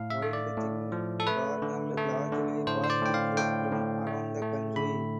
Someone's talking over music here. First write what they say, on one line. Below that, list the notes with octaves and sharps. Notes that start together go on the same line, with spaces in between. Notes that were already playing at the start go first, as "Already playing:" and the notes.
Wild Thing garnered largely positive press from around the country.
Already playing: A2 F5
E5
A3
D5
A2
F3
A4
A3 B4
D3
A3
D3
A2 C5
C5
D5
A2 G5
F5
A2 G5
A2
A3
A3
D3 B5